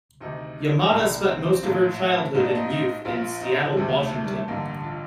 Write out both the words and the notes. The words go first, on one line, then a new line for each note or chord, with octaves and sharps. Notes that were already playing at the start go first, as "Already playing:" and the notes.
Yamada spent most of her childhood and youth in Seattle, Washington.
D2 C3 D#3 D#4
D#4
C2 A#2 D4
C4
C4
A#1 A2 A#3
A3
A#1 A2 D#4
D4
D#4
D#4
A#1 A#2 F4
D#4
F3
G3
D2 C3 D#3 A3
A#3
A3
A3
G3
A3
A1 G2 D3 A#3
F4